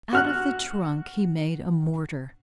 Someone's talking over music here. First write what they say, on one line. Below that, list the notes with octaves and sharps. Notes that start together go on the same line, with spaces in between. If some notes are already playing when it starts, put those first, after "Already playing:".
Out of the trunk he made a mortar.
F#4 F6 F#6